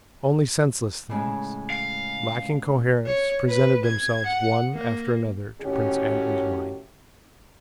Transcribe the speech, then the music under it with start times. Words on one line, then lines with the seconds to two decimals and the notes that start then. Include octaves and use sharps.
Only senseless things, lacking coherence, presented themselves one after another to Prince Andrew's mind.
1.09 A2 C#3 G#3
1.70 F5
3.06 C#5
3.48 B4
3.84 G#6
4.26 F#5
4.74 A#3
5.61 A2 D#3 C#4 F#4 G4